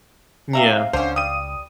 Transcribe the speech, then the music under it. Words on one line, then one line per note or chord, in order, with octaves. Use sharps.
N yeah.
C3 E5 F5 A#5
C#2 D3 C#4 C5
G3 D#6 D#7